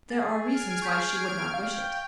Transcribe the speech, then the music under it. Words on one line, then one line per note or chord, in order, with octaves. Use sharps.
"There are reasons why she would not wish it."
G#4 A6
F6 G#6 D7
C#6 G6 B6
F5 G5